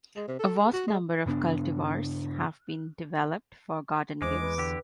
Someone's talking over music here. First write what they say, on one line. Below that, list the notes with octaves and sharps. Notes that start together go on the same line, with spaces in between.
A vast number of cultivars have been developed for garden use.
G#3
C3
A4
G#4
F#4
G#3
G2 C#3 B3 D4
E2 G#3 C5 D6
B4
D3 G4